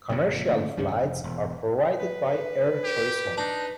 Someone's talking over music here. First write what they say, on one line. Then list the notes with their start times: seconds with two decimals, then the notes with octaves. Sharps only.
Commercial flights are provided by Air Choice One.
0.09 F#1 F2 A#2 C#3
0.48 D3 A3 A#3 C#4
0.77 C#2 D#3 G3 C#4
0.92 F1
1.24 E1
1.97 B4
2.84 G4
3.38 D4 D#4